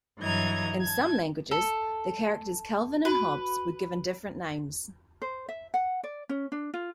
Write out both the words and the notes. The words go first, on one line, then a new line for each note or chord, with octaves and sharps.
In some languages the characters Calvin and Hobbes were given different names.
G2 E3 F#3 D#5 A#5 G#6
A5 G#6
A4
F#4 B4
C5
E5
F#5
D5
C#4
D4
F4